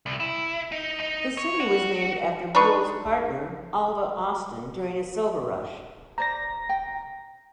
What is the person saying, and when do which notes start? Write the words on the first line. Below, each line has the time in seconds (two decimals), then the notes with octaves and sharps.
The city was named after Buell's partner, Alvah Austin, during a silver rush.
0.06 C2
0.20 E4
0.72 D#4
1.00 D#4
1.37 C#5
1.60 F#4
2.55 D4 D#4 B4 C#6
6.18 C5 D5 A#5 A#6
6.69 G5